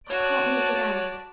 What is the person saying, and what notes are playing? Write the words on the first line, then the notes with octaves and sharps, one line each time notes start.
I can't make it out.
F#4 C#5 D5 A5